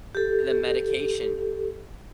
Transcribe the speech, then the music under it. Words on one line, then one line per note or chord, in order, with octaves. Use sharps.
And the medication.
G4 A4